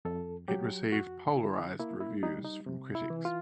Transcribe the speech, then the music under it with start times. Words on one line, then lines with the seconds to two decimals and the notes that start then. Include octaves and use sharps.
It received polarized reviews from critics.
0.05 F2 A4
0.48 F#3 G4
0.92 F2 F#4
1.35 D3 E4
1.80 A#3 E4
2.01 E4
2.23 G3 D#4
2.44 D#4
2.66 C3
2.95 E4
3.10 E3
3.25 F4